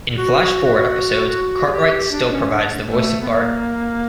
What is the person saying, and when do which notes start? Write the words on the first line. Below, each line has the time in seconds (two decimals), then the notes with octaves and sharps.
In flashforward episodes, Cartwright still provides the voice of Bart.
0.17 F#4
1.66 G#4
1.73 G4
2.12 D4
2.32 C#4
2.51 D4
2.91 A3
3.21 B3
3.30 A#3